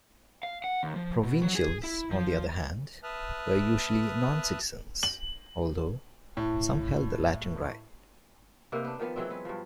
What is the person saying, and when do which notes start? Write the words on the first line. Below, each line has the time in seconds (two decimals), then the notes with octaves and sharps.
Provincials, on the other hand, were usually non-citizens, although some held the Latin Right.
0.43 F5
0.64 F#5
0.83 D#2
0.96 F3
1.23 B2
1.42 F#3
1.55 G#4
1.83 E4
2.11 F3
3.03 B4 E5 A5 D#6 F6 F#6
5.03 F#7
6.37 A2
8.72 C3 A#3 D#4 B4
8.84 B3 D4
8.99 D#3 F3 B3
9.16 E3 F#3 G#3 C4
9.30 B3
9.45 G2 F3